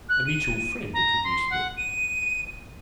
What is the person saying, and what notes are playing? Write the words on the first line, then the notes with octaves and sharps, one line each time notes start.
A mutual friend introduced me.
F#6
D#7
A#5
C6
F#5
D#7